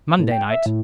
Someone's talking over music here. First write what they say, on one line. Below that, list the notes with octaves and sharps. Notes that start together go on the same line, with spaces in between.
Monday night?
A2
G5
E5
A2